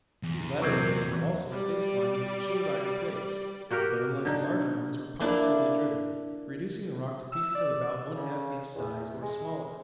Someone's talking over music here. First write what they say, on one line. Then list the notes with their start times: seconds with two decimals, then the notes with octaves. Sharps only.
These latter rolls were also face-lined with chilled-iron plates; but, unlike the larger ones, were positively driven, reducing the rock to pieces of about one-half-inch size, or smaller.
0.23 E2
0.61 C3 F#3 C4
1.52 G3 D5
3.70 A#3 F#4 G4 A#4
4.25 D3 D#4
5.20 A#3 D4 E4
7.32 E6
7.56 D5
8.15 C#3
8.76 E2
9.21 G#3